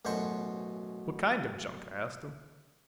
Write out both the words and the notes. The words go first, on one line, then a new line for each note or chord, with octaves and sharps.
"What kind of junk?" I asked him.
A1 F#2 B2 C5 C#6